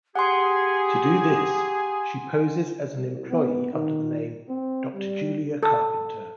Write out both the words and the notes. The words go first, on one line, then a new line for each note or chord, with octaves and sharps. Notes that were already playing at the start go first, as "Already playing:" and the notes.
To do this, she poses as an employee under the name "Doctor Julia Carpenter".
G4 G#4 F#5 G#5 C6
C2
B3
D#3
C4
G3
A4